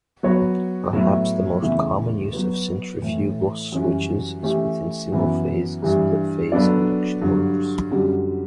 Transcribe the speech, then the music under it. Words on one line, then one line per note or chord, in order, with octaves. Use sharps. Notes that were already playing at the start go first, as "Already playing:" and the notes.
Perhaps the most common use of centrifugal switches is within single-phase, split-phase induction motors.
F#3 B3 F#4 C#5
A2 F#3 B3 E4
E2 C#3 E3 A3 E4
F#3 B3 F#4 B4
A2 E3 A3
F#2 E3 G3 C#4 F#4
E3 A3 C#4 G4
F#2 E3 B3
G2 E3 G3
F#3 B3 D4 A4 D5
G2 D3 F#3
F#2 D3 G3